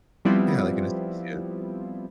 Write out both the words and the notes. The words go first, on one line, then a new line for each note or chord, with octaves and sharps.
Yeah. Like an associate.
F3 G3 B3 C4 E4 F4